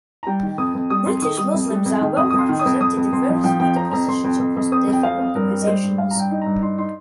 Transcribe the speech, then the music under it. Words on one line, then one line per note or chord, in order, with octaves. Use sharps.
British Muslims are well represented in various media positions across different organisations.
A#5
G3 G5
D#3
F2 D#6
F2
G3 D#6
F2 C6
D#3 D#6
G3 D#6
F2
G3
F2
D#3
F2 D#6
D#6
F2 C6
D#3
D#6
F2
F2 D#6
F2
F2 C6
F3
F3 G5
F2 G5
C4 A#5
F2 A#5
F2 C6
F2
F2
F2
C4 D#6
F2
G5
C4 F5
C4
G2 A#4
G3
D#5
G3 C5
G2
G2 F5
A#5
G2 G5
D#4
G2 A#5
D#4 C6
D#4 C6